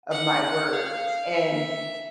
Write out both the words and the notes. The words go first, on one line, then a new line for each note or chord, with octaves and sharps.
of my words and
F#5
F5
E5